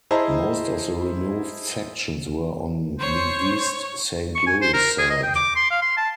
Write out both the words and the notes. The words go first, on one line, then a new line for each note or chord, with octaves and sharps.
Most of the removed sections were on the East Saint Louis side.
E4 G#4 C5 D#5 A5 A#5
C5 C#5
C#6
G#5
C5
A#4
G#4
D#5
G5
D6
C6
F5
C6
A5